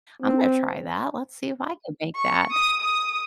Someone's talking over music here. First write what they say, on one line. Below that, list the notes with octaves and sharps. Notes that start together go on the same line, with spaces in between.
I'm gonna try that, let's see if I can make that,"
C4
C#6
D#6
D#6